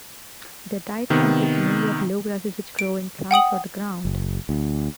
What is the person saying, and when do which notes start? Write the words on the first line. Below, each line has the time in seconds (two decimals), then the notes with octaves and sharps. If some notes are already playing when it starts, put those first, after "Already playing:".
Their diets consist mainly of low grasses which grow in clumps on the ground.
1.10 C3 D#3 B3
2.79 D7
3.31 F#5 G5 D#6 F#7
4.05 F#1
4.49 D2